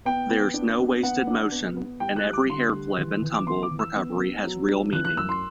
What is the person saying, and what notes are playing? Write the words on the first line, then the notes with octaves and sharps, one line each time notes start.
There's no wasted motion, and every hair flip and tumble recovery has real meaning.
B3 G5
B3
D4
B3
B3 F#5
D4
B3
B3
G3 G5
F#6
G3
D6
D3 C6
G3
E3
E3
D6
B3 C6
D6
E3
E6
B3
B3
F#3
D4
E3 F#6
F#6
F#2 E6
C6